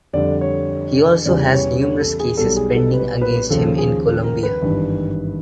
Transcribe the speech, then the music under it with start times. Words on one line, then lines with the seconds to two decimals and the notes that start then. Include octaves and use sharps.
He also has numerous cases pending against him in Colombia.
0.13 F2 D3 G3 D5
0.41 C#5
1.25 E2 C#3 E3 G3 D5
1.54 C#5
1.82 C#5
2.01 A4
2.20 G#4
2.37 B1 B2 G3 A4
2.57 G#4
2.76 A4
2.94 B4
3.22 B4
3.50 D#2 C#3 F3 A4
3.78 G#4
4.05 A4
4.24 A#4
4.43 B4
4.62 G#1 G2 E3